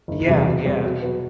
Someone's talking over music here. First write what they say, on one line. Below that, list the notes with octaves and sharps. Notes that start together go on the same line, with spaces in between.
Yeah yeah.
F#1
E2 C3 E3 G3
B2
G3 C4
B2
F#3 B3